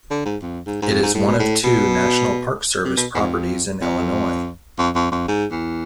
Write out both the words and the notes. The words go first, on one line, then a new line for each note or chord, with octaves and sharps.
It is one of two National Park Service properties in Illinois.
D3
G#2
F2
G#2
G#2
F2
G#2
A2
B2
A2
B2
C3
B2
E2
F2
F2
F2
F2
F2
G#2
E2